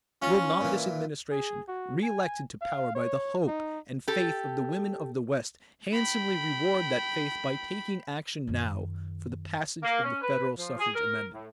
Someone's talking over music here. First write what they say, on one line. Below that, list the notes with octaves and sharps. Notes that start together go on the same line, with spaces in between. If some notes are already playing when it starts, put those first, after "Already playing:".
Will not this Administration, reelected to power by the hope and faith of the women of the West, handsomely reward that faith by taking action now for the passage of the federal suffrage amendment?
C#4 F4
A#2 E3
G#4
F#4
G#5
F5
C#5
D#4
G4 A4
G5 B5
F#2 D#3
A#3
C#4
B4
F3
G#4
A#4
A2